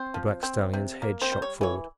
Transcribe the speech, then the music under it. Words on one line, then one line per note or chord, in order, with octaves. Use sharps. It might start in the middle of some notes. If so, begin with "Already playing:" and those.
The black stallion's head shot forward.
Already playing: C4 C5
F3
C4
C3
A#3
C4 C5
G3
C#5
E3 C#5